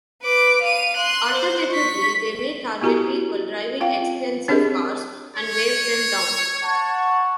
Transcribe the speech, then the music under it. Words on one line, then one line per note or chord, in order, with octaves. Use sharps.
Alternatively, they may target people driving expensive cars and wave them down.
B4 D6
F5 D#7
C6 F#6
C5
C#6 B6
B3 E4 F#4 G4 A#4 A#5
C4 F4 F5 G5
C4 D4 G4 G#4 A#4 D#5
C#5
F#5 A5 C#6